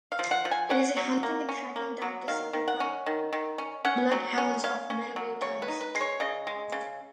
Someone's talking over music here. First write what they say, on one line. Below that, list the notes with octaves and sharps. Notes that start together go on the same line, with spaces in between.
It is a hunting and tracking dog descended from bloodhounds of medieval times.
F5
F3
F#5
F3
G#5
C#4 F#5
F#3
A#3
C#4
A#3
F#3
D#3 F5
D#3
F#5
C#4
D#3
D#3
C#4
C#4 F#5
F#3
C#4
C#4 F5
C#4
F#3
C#3 C#5
B4
D#4
B4
G#3
C#5
C#3 D#5
G#3
C#3